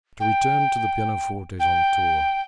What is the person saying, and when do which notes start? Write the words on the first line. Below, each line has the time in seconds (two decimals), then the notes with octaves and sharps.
But to return to the pianofortes on tour.
0.20 G5
1.59 G5